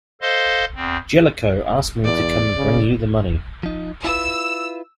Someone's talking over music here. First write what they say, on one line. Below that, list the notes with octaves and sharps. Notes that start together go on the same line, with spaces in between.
Jellicoe asked me to come and bring you the money.
A4 C5 D#5 F5 C6
E2 C4
E2 D5
C#3
F3 D#4
E4 F4 B4 E6